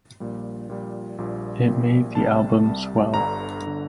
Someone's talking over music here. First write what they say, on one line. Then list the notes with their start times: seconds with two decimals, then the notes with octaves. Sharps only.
It made the album swell.
0.20 A#1 A#2 G3
0.68 A#1 A#2 G3
1.18 A#1 A#2 G3
1.67 A#1 A#2 G3
2.15 C2 C3 G3 A5
2.64 C2 C3 G3
3.13 G1 G2 D3 A#5
3.62 G1 D3